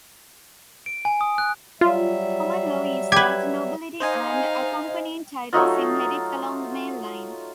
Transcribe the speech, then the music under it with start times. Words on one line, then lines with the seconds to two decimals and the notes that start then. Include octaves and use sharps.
Common law is that nobility and accompanying titles inherit along male line.
0.86 D7
1.05 G#5
1.21 D#6
1.38 F#6
1.81 F#3 G3 F4 E5
3.12 G4 B4 G#6
4.00 D#4 C5 D#5 F5 G#5
5.53 F#3 A3 D#4 F4